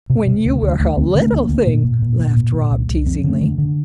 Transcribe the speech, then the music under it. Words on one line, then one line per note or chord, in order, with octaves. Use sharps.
"When you were a little thing!" laughed Rob, teasingly.
C3
C3
D2
D2
D2
D2 C4
D3
A3
D2
A#3
D2
A#2
A#2
A#2
A#2
A#2
A#2
C2
C2
F2 C4
D3
A3
D3
D3